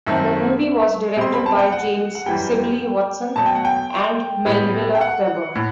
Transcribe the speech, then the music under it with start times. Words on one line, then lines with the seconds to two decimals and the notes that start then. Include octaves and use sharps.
The movie was directed by James Sibley Watson and Melville Webber.
0.07 F#2 D#3 A3 C4 E5
1.17 B2 G3 C4 C6
1.34 B5
1.46 A5
1.59 G5
1.72 F#5
2.15 F#5
2.26 F#2 E3 G3 G5
3.36 B2 F#3 A3 A5
3.46 G5
3.55 F#5
3.65 G5
4.46 A2 G3 B3
4.95 G5
5.01 F#5
5.55 A2